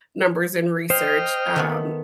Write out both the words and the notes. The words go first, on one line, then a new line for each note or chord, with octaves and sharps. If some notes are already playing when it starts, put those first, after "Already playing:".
numbers and research, um,
C5 D#5 G5 F6
D#3 A3 B3